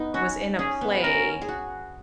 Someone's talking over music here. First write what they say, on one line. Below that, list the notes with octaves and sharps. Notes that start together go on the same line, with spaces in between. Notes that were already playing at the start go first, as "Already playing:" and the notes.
was in a play,
Already playing: B3 D#4
C#4 F#4
C#4 G#4
B3
C#4 A#4
G#4
F#4